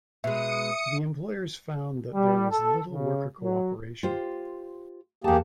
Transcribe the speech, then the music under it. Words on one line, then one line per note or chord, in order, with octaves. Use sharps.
The employers found that there was little worker co-operation.
B2 G#3 E5 D#6 C#7
G3
A4
C#3
F#3
F4 G4 C5
E2 A#3 G4 G#4 A5